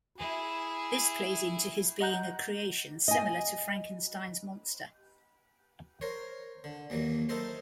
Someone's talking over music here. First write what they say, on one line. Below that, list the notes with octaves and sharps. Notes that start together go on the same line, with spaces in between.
This plays into his being a creation similar to Frankenstein's monster.
E4 G#4
D#5 F#5 A#5 F#6 G6 F#7
D#5 G#5
A#4 C5 C#5
D3
D#2 E3 F#3 A#3
D#4 E4 A4 A#4 C5